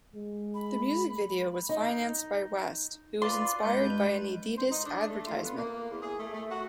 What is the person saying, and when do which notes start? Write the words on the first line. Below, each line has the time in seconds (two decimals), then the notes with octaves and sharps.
The music video was financed by West, who was inspired by an Adidas advertisement.
0.13 G#3
0.54 B5
1.69 D#4
3.22 F4 B4 D5 C6
3.62 G2 G#3 B4 G6
4.57 C5
4.71 D#4
4.85 D4
5.10 A3
5.27 F4
5.44 B3
5.57 A#3
5.90 E2
6.02 G#4
6.19 A3
6.34 A3
6.50 F#4